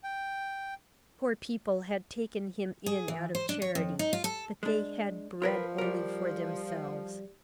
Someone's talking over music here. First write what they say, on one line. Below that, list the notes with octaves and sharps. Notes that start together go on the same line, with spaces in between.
Poor people had taken him in out of charity, but they had bread only for themselves.
G5
G#4
E3
C5
D4
C#5
F2
D#4
F4
A4
G#3 D4
F3 F4 A#4 B4
G3 A#4